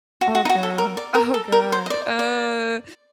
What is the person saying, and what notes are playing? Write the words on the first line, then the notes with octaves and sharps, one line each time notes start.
Oh, girl. Oh, god. Uh.
F#4
F#4
D#4
F#4
A4
A#4
D5
A#4
A4
A#4
C5
D#5
D5
D5